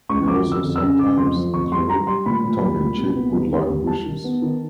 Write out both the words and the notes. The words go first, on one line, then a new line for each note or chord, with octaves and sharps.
They also sometimes include tongue in cheek good luck wishes.
C#2 C#6
F3 D6
F2
E6
F2
E6
C#3
C#3 D6
F2 C6
F3
F2 C#6
G3 C6
G3 A#5
G3 C6
A#2 B5
A#2
G3
A#2
C2
B3
G3
D#2
D#2
G3 A5
D#3
B3
D#3